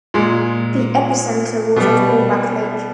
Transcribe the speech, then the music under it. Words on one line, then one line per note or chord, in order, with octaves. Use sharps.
The epicenter was at Omak Lake.
A#2 G#3
B2 G3